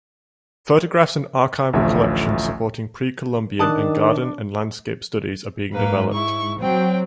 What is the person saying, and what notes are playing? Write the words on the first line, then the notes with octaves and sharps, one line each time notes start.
Photographs and archival collections supporting pre-Columbian and garden and landscape studies are being developed.
A1 D2 F3 A3 E5
D#3 D4 A5 D#6 F#6
G#2 A#3 B4
E4 C#6
F#3 C4 G5